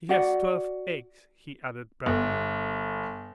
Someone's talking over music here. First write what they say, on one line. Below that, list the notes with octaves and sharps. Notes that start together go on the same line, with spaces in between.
"She has twelve eggs," he added proudly.
F#4 D5 F#5
G1